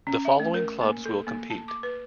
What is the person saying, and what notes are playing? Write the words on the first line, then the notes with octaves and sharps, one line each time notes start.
The following clubs will compete.
C#4
E5
A3
A#4
A#3
A4
A#3
A5
D6
B4